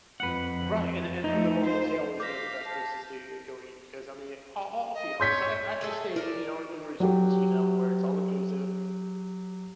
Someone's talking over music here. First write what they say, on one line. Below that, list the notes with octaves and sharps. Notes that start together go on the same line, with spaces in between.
Right. And and and the locals, they always know the best places to e go eat because, I mean, I'll I'll be honest. I I I stay, you know, in resorts, you know, where it's all inclusive.
F2 B4 F#5
F3 A3 D#4
F4 C5
F5 D6 G6 A#6 B6
A5
D#5
C#5 C6 G6 B6
A3 G#4 A4
E4 A#4 D5
F#3 G4